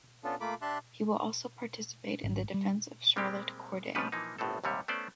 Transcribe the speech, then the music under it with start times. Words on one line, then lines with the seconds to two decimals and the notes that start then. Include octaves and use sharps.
He will also participate in the defense of Charlotte Corday.
0.24 B3 C#4 D4 F4 A4
0.41 A3 A#3 F4 B5 D6
0.62 D4 G4 E5 A5 C6 F#6
2.24 G#1
2.54 G3
3.16 G3 G#3 A#3 C4 G4
3.95 C#2 C#3 F3 G3 D4 B4
4.12 E3 F3 A#3 D#4
4.38 G1 C2 A2 B3 C4 A4
4.64 D#2 G#2 C3 G3 C#5
4.88 A3 B3 C#4 C5 D5